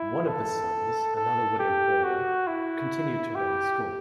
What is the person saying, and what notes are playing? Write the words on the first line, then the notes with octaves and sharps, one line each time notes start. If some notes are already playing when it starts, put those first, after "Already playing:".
One of the sons, another William Horner, continued to run the school.
Already playing: E4
A4
A4
G4
F#4
E4
G4